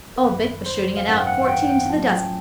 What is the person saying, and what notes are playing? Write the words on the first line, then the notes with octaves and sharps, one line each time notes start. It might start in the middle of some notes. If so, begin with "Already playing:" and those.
Old Bick was shooting it out fourteen to the dozen.'
A#4
G#1 F#2 D#3 B4
C5
F5
G#1 F#2 D#3 F#5
G5
F#5
G5
G5
A2 F#3 A3 C#4 F4 A5
G#5
G5